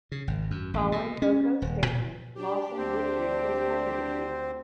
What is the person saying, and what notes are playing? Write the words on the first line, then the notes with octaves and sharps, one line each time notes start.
Following Boko's statement, Lawson withdrew his candidacy.
C#3
G#1
F#2
A1
B2
C#4
D#1
A#2
D4 G4
D2 C4 C5